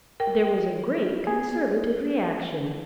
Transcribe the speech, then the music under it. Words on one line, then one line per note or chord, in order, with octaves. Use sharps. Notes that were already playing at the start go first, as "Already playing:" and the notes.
There was a great Conservative reaction.
A#4 G5
G#4